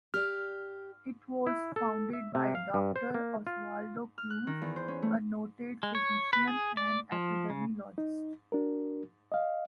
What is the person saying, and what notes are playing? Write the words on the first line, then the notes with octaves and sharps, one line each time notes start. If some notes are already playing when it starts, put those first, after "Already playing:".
It was founded by Doctor Oswaldo Cruz, a noted physician and epidemiologist.
G4 D5 F6
E4
A4
E5
C3
F5
G2
C5
A#3
F4
F6
F#6
D#3
E2
C5
C#4
A3
G#3
C#5
B4
G#4
D5
F3
C#3
D#4
D4 F#4 A#4
D#5 F5